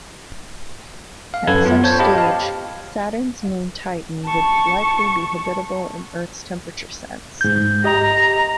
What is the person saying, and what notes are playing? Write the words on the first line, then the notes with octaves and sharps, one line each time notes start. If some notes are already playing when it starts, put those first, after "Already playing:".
At such stage, Saturn's moon Titan would likely be habitable in Earth's temperature sense.
F5
F#2 A4 B4 G#6
B3 F4
C5 C#5 A5 G6 G#6
G4 D#5 F5 G5 A5 B5
F5 A5
A5 C#6
G#2 G6
G4 D#5 A#5